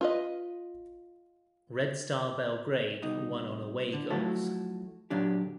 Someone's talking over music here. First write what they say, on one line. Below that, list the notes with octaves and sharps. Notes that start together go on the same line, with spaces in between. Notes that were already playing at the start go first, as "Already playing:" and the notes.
Red Star Belgrade won on away goals.
F4 B4 D#5
C2 B2 D#4
D3
F3 F#3 A3 E4 F#4 A4
A#2 D3 F#3 D4 G4